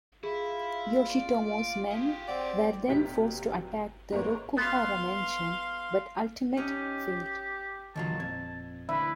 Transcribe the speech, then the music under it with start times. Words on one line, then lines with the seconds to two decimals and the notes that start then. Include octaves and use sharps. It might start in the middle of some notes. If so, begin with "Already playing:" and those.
Yoshitomo's men were then forced to attack the Rokuhara mansion, but ultimate failed.
0.23 E4 F4 G#4
1.10 D5
1.91 G4 G#4
2.28 C4 D5 F#5 G5
2.88 F1 F2 A#2 F#3 G4 B6
4.12 G#2 A#3 B3 C#5
4.57 B3 F5 C6
6.57 C#4 D#4 G4
7.96 D#2 A#2 D3 E3 F#3 A5
8.20 F2 A#2 C4 G#6
8.89 D2 E4 B4